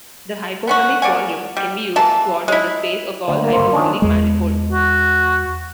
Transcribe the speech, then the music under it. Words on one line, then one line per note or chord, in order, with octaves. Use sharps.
The hyperbolic volume can be used to order the space of all hyperbolic manifold.
B3 C#4 F#4
A#3 D5 F#5 G#5
G3
E3 A#3 A5
G#3 E4
D2
A#3
G1 C#2 C5
D#3 C#4 D4
E2 G#3
F#4